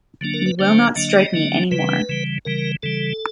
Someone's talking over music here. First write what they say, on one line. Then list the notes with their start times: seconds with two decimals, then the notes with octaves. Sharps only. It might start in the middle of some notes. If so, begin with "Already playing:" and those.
You will not strike me anymore!
0.21 D3 F#3 A#3 D4
0.34 A#4
0.46 B4
0.59 D3 F#3 A#3 D4 C5
0.96 D3 F#3 A#3 D4 D#5
1.34 D3 F#3 A#3 D4
1.71 C#3 E3 G3 B4
2.09 C#3 E3 G3
2.45 C#3 E3 G3 A#4
2.83 C#3 E3 G3 A4